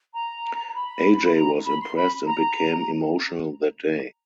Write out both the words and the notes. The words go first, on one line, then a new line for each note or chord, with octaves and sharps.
Aj was Impressed and became emotional that day.
A#5
B5
A#5
B5
C6
B5
A#5